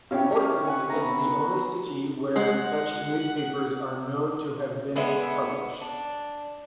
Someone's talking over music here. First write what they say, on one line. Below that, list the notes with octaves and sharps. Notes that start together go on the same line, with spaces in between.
Portland is the only city where such newspapers are known to have been published.
C3 C#4 E4 G4 C#5 F5
F#5 G#5 C#6
B3 E5 A#5
G#3 F#5
D3 G#3 B3 E5
D4